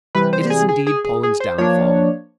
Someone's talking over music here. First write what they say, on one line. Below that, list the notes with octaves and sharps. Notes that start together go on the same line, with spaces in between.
It is indeed Poland's downfall.
C3 E3 G3 B4
C5
G#4
G#4
G#4
G#4
G#4
C5
F3 A#3 D4 C#5